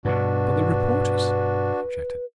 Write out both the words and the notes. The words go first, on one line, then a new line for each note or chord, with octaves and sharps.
"But the reporters," I objected.
G2 B2 D4 F#4 B4